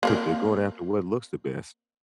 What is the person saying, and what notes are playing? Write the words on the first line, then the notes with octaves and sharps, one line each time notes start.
They're going after what looks the best.
A#3 C4 A#4